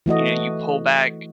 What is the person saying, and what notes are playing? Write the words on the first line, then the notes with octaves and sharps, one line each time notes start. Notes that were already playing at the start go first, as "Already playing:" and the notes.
you know, you pull back
E3 A3 F#4 D#5